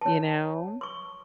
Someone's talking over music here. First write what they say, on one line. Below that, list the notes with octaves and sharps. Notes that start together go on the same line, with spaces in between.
you know,
C#5 A5
C6 C#6